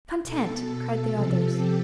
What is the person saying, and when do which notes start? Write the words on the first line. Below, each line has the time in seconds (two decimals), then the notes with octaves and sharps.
"Content," cried the others.
0.24 B2 A4
1.10 C3 F3
1.53 G4